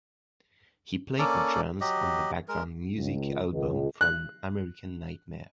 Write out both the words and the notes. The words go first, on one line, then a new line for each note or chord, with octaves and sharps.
He played the drums on the "Background Music" album from American Nightmare.
A#3 C#4 A4 D5
F#3 G4 D#5
G#3 A#4
C#2
C#2
F#6